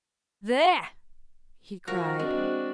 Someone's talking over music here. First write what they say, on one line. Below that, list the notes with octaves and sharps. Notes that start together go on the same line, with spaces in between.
"There!" he cried.
F3 F#4 A#4
G#3 C4 D4 F#4